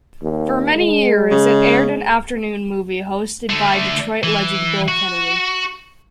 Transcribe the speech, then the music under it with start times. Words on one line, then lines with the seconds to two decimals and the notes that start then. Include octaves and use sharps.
For many years, it aired an afternoon movie hosted by Detroit legend Bill Kennedy.
0.23 D#2
0.75 G#3
1.31 C#3
3.50 D3 A3
4.23 E3
4.88 F#4